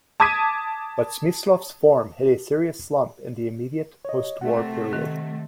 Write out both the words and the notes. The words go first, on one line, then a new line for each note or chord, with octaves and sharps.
But Smyslov's form hit a serious slump in the immediate post-war period.
A5 D6 D#6 G#6 B6 D#7
C#5 D#5
C3 A3 F#5
D#3